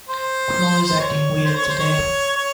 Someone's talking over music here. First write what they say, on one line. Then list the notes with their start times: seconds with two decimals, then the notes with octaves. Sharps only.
Kunal is acting weird today.
0.09 C5
1.00 C#5
1.45 C5
1.57 C#5
1.68 C5
1.80 C#5
2.37 C#5